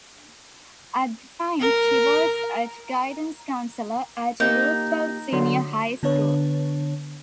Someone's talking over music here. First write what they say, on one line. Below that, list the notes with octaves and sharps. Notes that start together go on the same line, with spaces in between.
At the time, she was a guidance counselor at Roosevelt Senior High School.
A#4
A#3 D#4 G4
D3 F#3 C6
D3 B3 D4 B4 C#5